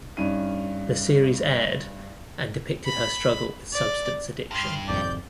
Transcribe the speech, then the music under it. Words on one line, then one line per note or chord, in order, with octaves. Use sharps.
The series aired and depicted her struggle with substance addiction.
G2 C#4 D#4 D#7
B5
D5
G2 C6 F6
G#1 F2 C3 D5 G6